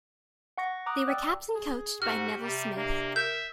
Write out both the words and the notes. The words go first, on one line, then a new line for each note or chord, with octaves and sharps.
They were captain-coached by Neville Smith.
F#5 C#6 A#6
A#5 D6 D#6 F#6
D5 G5 E6
G#4
G#2 F#4 G4 F6
C3 G3
A#3 D4
A#4 E5 G6